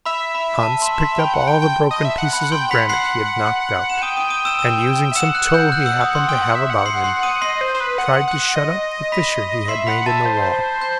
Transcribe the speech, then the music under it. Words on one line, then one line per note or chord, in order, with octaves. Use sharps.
Hans picked up all the broken pieces of granite he had knocked out, and using some tow he happened to have about him, tried to shut up the fissure he had made in the wall.
E5 B5
B5
A5
C6
C6
G5 B5
F#5
G5
G5
D#5
E5
F#5
F#5 B5
G5 C6
F#5 B5 B6
F#5 C6 C7
E7
G5 D#6 D#7
D#6 D#7
D#6 D#7
E6 E7
E6 E7
E5
F#5 E6 E7
F#6
G6
F#6
E6
D#6
C6
G5 D#6
F#5
E5
F#5
C6 C7
C6 C7
D#6 D#7
D#5 C6 C7
C5
C5
B4
F#5
F#5
D#5
B5 B6
E5 C6 C7
F#5 B5 B6
E5 A5 A6
C5
G6